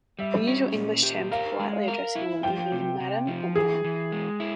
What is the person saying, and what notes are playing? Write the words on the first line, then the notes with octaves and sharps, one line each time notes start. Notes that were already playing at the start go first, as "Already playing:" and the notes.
The usual English term for politely addressing a woman is "Madam" or "Ma'am".
G3 E5
C#4
A#2
G4
A#4 F5
G#3
A#4
E4
F3 G5
C3
C3
F3
E3 G#4
E3
G#3
E4